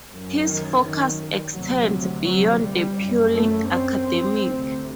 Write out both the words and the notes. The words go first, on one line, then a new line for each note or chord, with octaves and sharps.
His focus extends beyond the purely academic.
F#2
D#3
D#3
D2 C3 F#3
F#3
G3
F#2
A3
C4
D2 C3